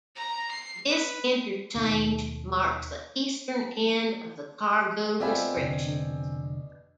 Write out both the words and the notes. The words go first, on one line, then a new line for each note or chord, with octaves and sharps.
This interchange marks the eastern end of the cargo restrictions.
A#5
C7
B4
D#2 B2 D#3
B2 C4 D4 F4 E5 G#5 B5
F1 D3 C7